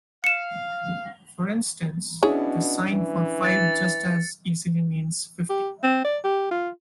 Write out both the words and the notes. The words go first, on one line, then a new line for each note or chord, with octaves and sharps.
For instance, the sign for five just as easily means fifty.
F5 C#7 E7
B2 C#4 D4 E4 G#4 C#5
E3
A6 C#7
G4
C4
D5
G4
F4